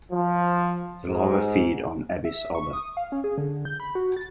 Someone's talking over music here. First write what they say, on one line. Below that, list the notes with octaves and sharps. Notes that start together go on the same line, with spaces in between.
The larvae feed on "Abies alba".
F3
G#2
E5
C#6
D#6
F5
C#4
G#4
D3
G6
B5
F#4
A6